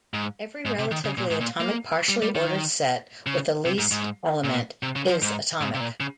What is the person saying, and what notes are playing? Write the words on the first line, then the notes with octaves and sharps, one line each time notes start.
Every relatively atomic partially ordered set with a least element is atomic.
G#2
G#2
C3
D#3
C#3
A#2
G#2
A#2
A#3
G3
G3
D#3
C#3
C3
G#2
G#2
A#2
C3
C#3
F3
G#2
G#2
C3
A#2
C#3